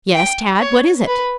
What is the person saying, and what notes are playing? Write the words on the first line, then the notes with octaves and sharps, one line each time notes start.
"Yes, Tad; what is it?"
G5
C#5
B4